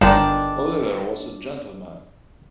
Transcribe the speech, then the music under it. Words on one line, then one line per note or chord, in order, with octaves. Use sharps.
Oliver was a gentleman.
G1 D#3 G#3 D4